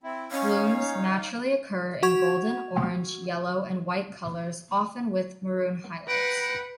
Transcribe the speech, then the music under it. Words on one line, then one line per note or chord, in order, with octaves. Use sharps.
Blooms naturally occur in golden, orange, yellow, and white colors, often with maroon highlights.
C4 E4
C#4 D#4 C#5 F5
F#4 F#5 C#6 G#6 F7
B4 F#5 G5 A#5 D7